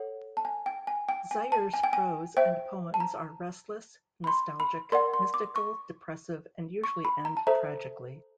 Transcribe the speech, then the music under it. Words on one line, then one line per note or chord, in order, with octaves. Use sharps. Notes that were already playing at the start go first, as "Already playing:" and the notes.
Zeyer's prose and poems are restless, nostalgic, mystical, depressive, and usually end tragically.
Already playing: A4 C#5 F#5
A5
G#5
G5
G#5
G5
G#5
A5
G#5
G5
G#5
C5 E5 G5
A5
A#5
B5
C6
B5
A#4 D5 F#5 C6
C6
D6
C#6
C#6
B5
A#5
A5
A4 C5 E5 A#5